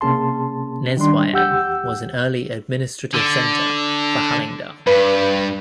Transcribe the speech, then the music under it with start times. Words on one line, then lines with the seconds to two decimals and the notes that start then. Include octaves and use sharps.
Nesbyen was an early administrative center for Hallingdal.
0.01 C3 A#3 C#4 G#4 A5 C6
0.97 D#3 G3 D4 C6
1.33 E2 G4 F#5 E6 G6
3.14 D3
4.87 G2 B4